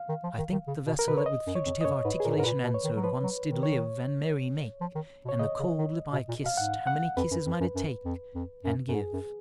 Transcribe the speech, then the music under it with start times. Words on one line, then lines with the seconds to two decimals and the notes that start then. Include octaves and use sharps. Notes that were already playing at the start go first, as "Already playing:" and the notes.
I think the Vessel, that with fugitive Articulation answer'd, once did live, And merry-make; and the cold Lip I kiss'd How many Kisses might it take--and give.
Already playing: F5
0.09 D#3
0.23 F3
0.38 D#3
0.52 D#3
0.67 C#3
0.86 B2
0.99 A#4
1.07 B2 B4
1.18 C#5
1.26 D#5
1.47 F#2
1.55 C#5
1.66 F2
1.81 D#5
1.85 F#2 C#5
2.04 G#2 B4
2.20 G#4
2.25 A#2 A#4
2.35 G#2
2.40 A#4
2.44 A#2 B4
2.63 B2
2.74 C#5
2.84 D#3
2.96 F#3
3.04 F3 B4
3.23 F#3
3.43 D#3
3.63 C#5
4.81 F3
4.95 D#3
5.25 B2
5.29 C#5
5.39 C#3 D#5
5.59 C#3
5.78 D#3
6.12 B2
6.28 A#2
6.43 B2
6.46 F5
6.57 G#2 F#5
6.87 F#5
7.17 F2 B4
7.31 F#2
7.46 F2
7.60 F#2
7.75 F#2
8.05 F2
8.34 F2
8.64 F#2
8.88 F#2
8.93 G#2 G#4
9.13 F#2